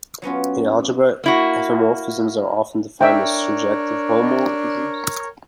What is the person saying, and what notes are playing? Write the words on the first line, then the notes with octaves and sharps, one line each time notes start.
In algebra, epimorphisms are often defined as surjective homomorphisms.
F#3 B3 C#4 F4
A#3 E4 F#4
D4 A#4 C#5 E5 G5